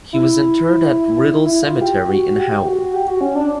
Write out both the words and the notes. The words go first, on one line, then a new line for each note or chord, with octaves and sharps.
He was interred at Riddle Cemetery in Howell.
E4
E4
F4
G4
F#4
G4
F#4
G4
F#4
C#4
D4